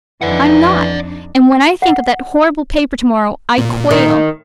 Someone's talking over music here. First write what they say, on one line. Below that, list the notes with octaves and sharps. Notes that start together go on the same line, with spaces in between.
I'm not--and when I think of that horrible paper tomorrow I quail.
F2 E3 D4 D#4 D5 F#5
F#5
A#2
D#3 D#4